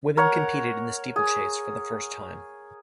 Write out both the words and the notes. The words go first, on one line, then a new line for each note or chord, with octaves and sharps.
Women competed in the steeplechase for the first time.
A#4 C#5 F#5
G#4